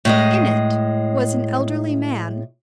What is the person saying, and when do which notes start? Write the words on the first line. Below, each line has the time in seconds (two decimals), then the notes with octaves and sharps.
In it was an elderly man.
0.05 A2 G#3 D#5